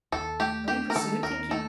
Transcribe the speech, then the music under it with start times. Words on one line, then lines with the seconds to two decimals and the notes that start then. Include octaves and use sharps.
Are we pursued, think you?
0.12 D#2 A4
0.40 A3 G4
0.68 D4 G4
0.90 A#4
0.95 D#3 A4
1.23 D#2 A#4
1.51 A3 A4